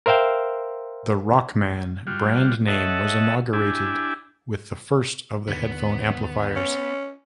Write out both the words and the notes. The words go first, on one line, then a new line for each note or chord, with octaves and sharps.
The Rockman brand name was inaugurated with the first of the headphone amplifiers.
A#4 C5 E5 F5 G5
G3 F4 F#4
A4 C#5 D#5 E5 F#5 A5
D4 E4 G4 G#5
D#2 D3 D#3 B3
C#4